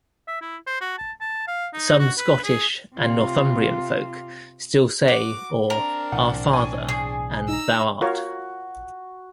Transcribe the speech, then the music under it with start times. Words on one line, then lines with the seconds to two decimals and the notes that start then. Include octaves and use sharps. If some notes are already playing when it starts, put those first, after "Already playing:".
Some Scottish and Northumbrian folk still say or "our father" and "thou art".
0.28 E5
0.41 E4
0.66 C5
0.81 F#4
0.98 A5
1.21 A5
1.48 F5
1.74 D#4
1.99 F#4
2.18 B4
2.44 G#4
2.95 C3 F4
5.08 F#4 D6
5.70 C4 D4 A#4
6.12 B1 A2 E3 F#5
6.53 G#5 C#6
6.89 G#4
7.48 D#4 A#5 E6
8.01 F4 F#4 A#4 C#5